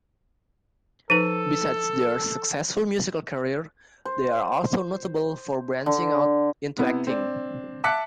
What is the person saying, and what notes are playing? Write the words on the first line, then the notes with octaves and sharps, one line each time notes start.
Besides their successful musical careers, they are also notable for branching out into acting.
F3 D#4 A4 B4 D#7
C5
D3
C3 B3 E4
C4 D4
E5 A5 D6 F#6 B6 C#7